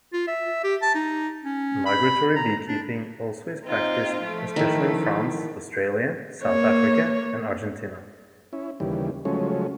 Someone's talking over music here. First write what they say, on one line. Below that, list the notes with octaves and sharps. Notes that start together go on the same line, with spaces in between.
Migratory beekeeping also is practiced, especially in France, Australia, South Africa and Argentina.
F4
E5
G4
A5
D#4
C#4
B5
A#5
D4
C4 D#4 F4
F3 A3
D#3 E4
A#3 C#5
C#4 E4
D#2 C#3 E3 G3
C#3 F3 F#3 G#3 A3 C#4